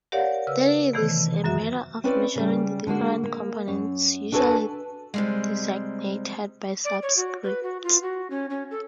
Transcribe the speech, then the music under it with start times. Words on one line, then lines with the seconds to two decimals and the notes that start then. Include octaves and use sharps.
Then it is a matter of measuring the different components, usually designated by subscripts.
0.12 G4 A#4 C#5 D5 F5 F#5
0.47 C#3 B4 E6
0.93 C3 D#3 E3 A3 B3
1.44 F#2 F#3 F#4 E5
2.04 C4 C#4 E4 B4 D5
2.36 C#3 G3
2.87 D3 G#3 A#3 F#4
3.24 A#3
3.68 F#2
4.32 D4 F#4 A4 B4 D5 G#5
5.14 C3 G3 G#3
6.85 D5
7.03 C#5
7.17 F#4
7.43 B4
7.63 F#4
7.83 F4
8.02 F#4
8.30 C#4
8.50 C#4
8.71 A4